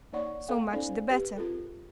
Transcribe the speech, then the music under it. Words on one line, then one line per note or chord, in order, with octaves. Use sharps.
'So much the better.'
A#3 D#4 C#5 D5 F#5 C#6
B3 A4 F5 G5
C#4 D#4 A4 C5 D5 G#5
G4 B4
C4 F4 G#4 A4